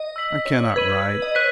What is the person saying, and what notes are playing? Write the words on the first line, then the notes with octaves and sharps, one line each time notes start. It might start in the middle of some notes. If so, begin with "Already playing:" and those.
I cannot write.
Already playing: D#5
E6 B6 F#7
C#5
B4 G#6 D#7 F#7
D#5
C#5 F#6 B6 D#7